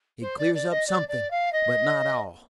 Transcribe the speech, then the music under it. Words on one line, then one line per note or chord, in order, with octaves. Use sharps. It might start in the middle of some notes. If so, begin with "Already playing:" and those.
It clears up something, but not all.
C5
D5
D5
D#5
D5
D5
F5
D#5